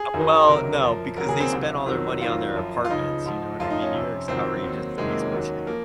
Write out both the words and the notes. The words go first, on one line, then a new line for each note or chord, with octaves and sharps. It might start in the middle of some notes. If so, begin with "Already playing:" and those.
Uh, well, no, because they spend all their money on their apartments, you know what I mean? New York's outrageous, the expression.
Already playing: G#4
F#2 D#3 F#3
C#2 C3 D#3 F#3 A#4
F#2 F3
D#2 C#3 F#3 A#4
G#4
C4
C2 C3 F#3
F2 D#3 F#3
F2 D#3 F#3 F4
F#2 F3
F4
C#2 C#3 F3 D#4
G#2 F3
F#2 F3 F4
D#4
C#4
F2 C3 F3
F2 C3 D#3 F#3 C4
D#2 D#3 F#3
F2 C3 D#3 F#3 G#3
A#3
C#4
D#2 D#3 F#3
F3 A#3